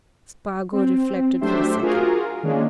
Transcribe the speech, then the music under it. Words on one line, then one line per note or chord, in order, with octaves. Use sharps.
Spargo reflected for a second.
C4
F#3 A3 D4 G4 C5 E5
F4 F#4 G#4 A#4
D#3 G#3 A#3 C#4 D4